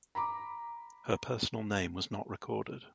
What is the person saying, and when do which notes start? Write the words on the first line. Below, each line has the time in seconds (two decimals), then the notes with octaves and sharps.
Her personal name was not recorded.
0.15 A#5 B5 D6